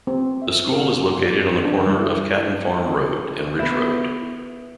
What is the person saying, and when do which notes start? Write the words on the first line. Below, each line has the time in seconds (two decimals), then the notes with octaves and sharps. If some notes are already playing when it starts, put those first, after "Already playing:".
The school is located on the corner of Caton Farm Road and Ridge Road.
0.07 C4
0.42 E5
0.72 A#4
1.21 D5
1.65 D4
1.87 G3
2.00 E4
3.59 B3 E4